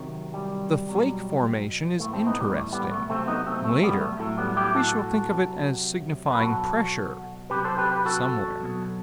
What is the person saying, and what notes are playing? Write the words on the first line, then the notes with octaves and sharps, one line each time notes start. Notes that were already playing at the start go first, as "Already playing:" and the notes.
The flake-formation is interesting: later we shall think of it as signifying pressure--somewhere.
Already playing: C3 D#3 F#3
G3
B2 F#3
A2 E3 A3
A3 C4
B3 D#4
G3
A3
G3 B3
A3
C3 F#3 A3 C4
B3 D#4
A3 C4
A3
G3 B3
A3
A2 F#3 A3
G3 B3
E4 G4
F#4 A4
C3 F#3
B4
B2 F#3 F#4 A4
C3 F#3 G4 B4
A4 C5
G4 B4
G4 B4
F#4 A4
B2 F#3